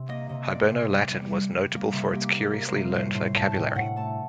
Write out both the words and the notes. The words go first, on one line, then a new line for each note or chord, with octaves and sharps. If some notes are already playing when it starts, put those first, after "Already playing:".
Hiberno-Latin was notable for its curiously learned vocabulary.
Already playing: C3
A#3 D#5
C3 D#5
C3 D5
C3
G3
G3
G3
G3
A#3
C3
A#3 G4
A#3
A#4
G3
C5
C3
A2 C5
A2 C5
A2 A5
A2 G5
A2 F#5
A3 A5